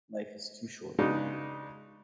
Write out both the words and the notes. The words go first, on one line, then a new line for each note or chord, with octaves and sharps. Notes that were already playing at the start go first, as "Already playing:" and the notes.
Life is too short.
C#3 G#3 B3 D4 D#4